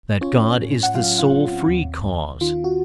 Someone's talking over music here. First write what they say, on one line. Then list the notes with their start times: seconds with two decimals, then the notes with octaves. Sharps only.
That God is the sole free cause.
0.21 C#4 F4 C#5
0.58 A2
0.83 F#5
0.94 F#3 F4 F5
1.18 F4 F5
1.31 C4
1.68 D#2
2.04 D#2
2.41 D#3 F4
2.64 F#4